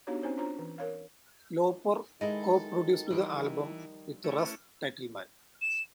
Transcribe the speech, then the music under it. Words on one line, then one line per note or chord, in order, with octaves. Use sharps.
Lauper co-produced the album with Russ Titelman.
B3 D4 D#4 F#4 G4 C#5
C4 C#4 D#4 C5 C#5
D4 F4 C5 C#5 A#5
E3
A#4 C#5 F5
D#3 G#3 E4 G#4 A4 D#5
E3 F3 G3 G4
A3 C#4 E4
E7